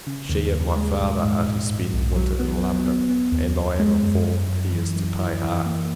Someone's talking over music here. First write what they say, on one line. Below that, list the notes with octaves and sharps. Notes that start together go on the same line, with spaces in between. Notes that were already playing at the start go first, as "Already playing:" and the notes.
She, and my Father, are to spend the winter in London; and, I am informed, he is to pay half.
C#3
D#2
D#2
G#3
A#1
G#2
A#1
G#2
B1
F#3
B3
B3
B3
B3
D#2
D#2
G#3
F#2
F#2
F#2
E3
F#2
E3
E3
A#3